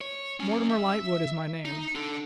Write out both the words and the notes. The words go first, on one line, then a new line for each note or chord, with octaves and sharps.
'Mortimer Lightwood is my name.
C#5
F#3 C#4
E5
D#4
D4 A4